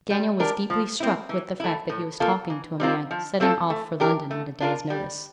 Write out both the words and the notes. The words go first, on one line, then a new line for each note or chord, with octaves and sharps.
Daniel was deeply struck with the fact that he was talking to a man setting off for London at a day's notice.
G3
D4 G4 A#4
F3
C4 E4
E3
A3 E4
A2
F3 A#3 F4 A4
E3
G3 C4 F4 A#4
F3
A3 C4 F4 A4
A3
D4 G4 A#4
A3
D4 F4 A#4
G3